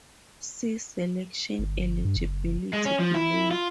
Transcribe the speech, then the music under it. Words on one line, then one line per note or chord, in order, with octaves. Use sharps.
See "Selection eligibility" below.
G1
G2
F#1
G#3
C#4
F3
E4
F4